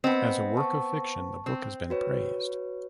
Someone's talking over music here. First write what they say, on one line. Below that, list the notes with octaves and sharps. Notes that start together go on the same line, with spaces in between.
As a work of fiction, the book has been praised.
B3 C4 D#5
A5 C#6
C4
F#4 B4 C#5